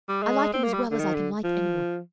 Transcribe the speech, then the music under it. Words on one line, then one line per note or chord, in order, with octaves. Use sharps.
I like him as well as I can like any one.
G3
G#3
C4
A#3
G3
D3
D#3
D3
F3